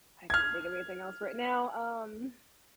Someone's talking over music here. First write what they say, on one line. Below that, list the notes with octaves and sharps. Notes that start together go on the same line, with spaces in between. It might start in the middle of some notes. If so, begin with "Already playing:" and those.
I can't think of anything else right now. Um,
F6 G#6